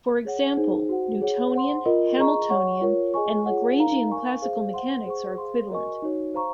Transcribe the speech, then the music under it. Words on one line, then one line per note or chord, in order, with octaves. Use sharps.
For example, Newtonian, Hamiltonian and Lagrangian classical mechanics are equivalent.
G#4 C#5 F#5
D#4 G#4 C5
F#4 C5 F#5
G#4 C#5 F#5
C5 F#5 C6
F4 A#4 D#5
G#4 D#5 A#5 C#6
C#5 F#5 C#6
F4 A#4 C#5
G#4 D#5 G#5 C#6
F4 G#4 C#5 F#5
D#4 A#4 F5 A#5
A#4 F5 G#5 C#6
G#4 C5 F5
C5 F#5 C6
G#4 C5 F#5 C#6
G#4 C5 F5 C6
F#4 A#4 D#5 G#5 C#6
D#4 F#4 C#5
C5 F5 A#5 C#6